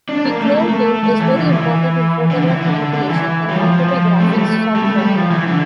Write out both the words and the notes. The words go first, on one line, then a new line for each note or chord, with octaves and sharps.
The "Clone" tool is very important in photograph manipulation on computer graphics software.
D4
A#3
A3
A#3
A3
A3
E3
D3
F3
E3
D3
D3
E3
D3
D3
E3
G3
F3
F3
F3
A3
G3
A3
G3
A3
G3
F3
E3
D3